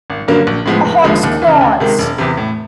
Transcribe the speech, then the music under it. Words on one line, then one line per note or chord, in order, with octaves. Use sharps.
A hawk's claws.
G#1
G2 D3 F#3 A#3
A#1
A2 F3 G#3 B3
F1
D#2 D3 F3 G#3
D#2
E3
C#3
D2
C3 D#3 G#3
E1
E2 C3
A2